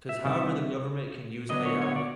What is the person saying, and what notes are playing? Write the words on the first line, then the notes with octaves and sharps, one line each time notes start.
'Cause however the government can use AI,
E5
C3 D#3 G3 C4
D3 F#3 B3 D4 D#5
C#5
C#5
D5